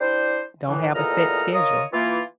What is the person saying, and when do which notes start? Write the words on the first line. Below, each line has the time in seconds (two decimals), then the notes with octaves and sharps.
Don't have a set schedule.
0.01 G3 D4 E4 C5
0.68 A2 E3
0.94 E2 A#2 A4 D#5 A#5 F6
1.53 F4 A#4 C#5 D#5 D#6
1.93 E3 A#3 F4